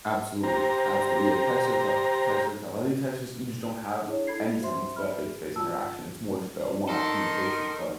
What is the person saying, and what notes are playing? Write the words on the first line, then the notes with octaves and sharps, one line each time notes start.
Absolutely. Absolutely, yeah. Texts are tough, texts are tough. I think text is you just don't have any similar to that face-to-face interaction, it's more just a one-off communication, but,
G4 C5 A#5
D4 E4 G#4 C#5
E4 A4 B5 G#6 C7
F#4 C5 E5 C6
B4 E5 B5 F6
G#4
F4 A5 E6
D#3 D#4 A4 A#5 C6